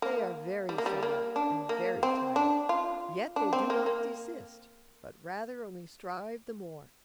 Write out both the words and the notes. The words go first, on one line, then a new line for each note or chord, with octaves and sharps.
They are very sore and very tired; yet they do not desist, but rather only strive the more.
A#3
G3
A#3
G3
A#3
D4
A#3
C4
D4
F4
D4
C4
A#3
A#3